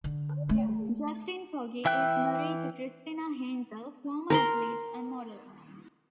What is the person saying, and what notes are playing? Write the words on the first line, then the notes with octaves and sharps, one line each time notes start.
Justin Pogge is married to Christina Heinzel, former athlete and model.
D3
A3
E3 E5 G5 F#6
A#4 A#5 C6